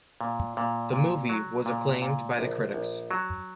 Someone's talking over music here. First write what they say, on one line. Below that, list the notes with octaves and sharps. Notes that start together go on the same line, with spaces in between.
The movie was acclaimed by the critics.
A#2
A#2
A#2
F#3
A#2
A#2
A#1
A#1
F#3